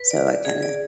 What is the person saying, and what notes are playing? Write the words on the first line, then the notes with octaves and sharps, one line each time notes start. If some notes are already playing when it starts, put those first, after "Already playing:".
So I kinda
Already playing: B4
D5
D5
G#4
D5